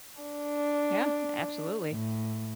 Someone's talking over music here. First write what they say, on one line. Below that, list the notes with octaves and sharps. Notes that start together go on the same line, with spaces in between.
Yeah, absolutely.
D4
A2